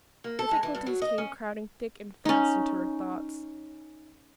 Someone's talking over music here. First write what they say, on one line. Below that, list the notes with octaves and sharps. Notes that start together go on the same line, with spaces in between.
Difficulties came crowding thick and fast into her thoughts.
A#3
A4
G#3
E3
G2
F#3
D#5
C#4
C#4 D#4